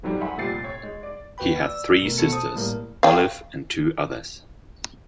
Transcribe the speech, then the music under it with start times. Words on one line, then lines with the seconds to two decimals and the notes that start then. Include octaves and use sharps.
He had three sisters, Olive, and two others.
0.03 F2 G#2 F#3 G3
0.21 E5 F#5 G#5 B5 C6
0.37 F1 A#2 G3 G4 A6 C7
0.64 C#5
0.83 G#3
1.03 D5
1.38 D#2 F#4 B4 G5 B5
1.62 D5 E6
2.02 B2 A3 A#4
2.18 B2 A4 C#7
2.32 C5 A5 D#6
2.55 A2 G3 A#3 A#4
3.03 F5 G5